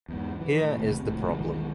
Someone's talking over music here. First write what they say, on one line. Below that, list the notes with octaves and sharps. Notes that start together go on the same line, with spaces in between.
Here is the problem.
E2 G#2
E3
A2
E1 D#2 C3 A3
D#1 C#2 A2 C3
B1 D#3 E3 G#3